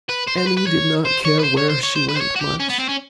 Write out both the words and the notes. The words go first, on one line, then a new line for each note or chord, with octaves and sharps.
Emmy did not care where she went much.
B4
C5
C5
B4
B4
C#5
C5
C#5
B4
C5
C#5
C5
C#5
C5
B4
C5
C#5
F#4
G4
C#4
B3
C4
C#4